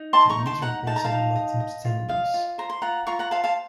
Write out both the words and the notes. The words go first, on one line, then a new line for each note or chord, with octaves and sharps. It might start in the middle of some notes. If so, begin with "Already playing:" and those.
The leaves are basal and often stem leaves.
Already playing: D#4
D#5 A5 C6
A#5 C#6
D#4
A5 C6
D#4 F#5 A#5
D#4 A5
A#5
F5 A5
D#4
D#5
D#5
F4
D#5 F5
F4
C5 A#5
C6
F4 F#5 A#5
F4 A#5 C#6
F#5 A#5
C5 F5 A5
F5 A5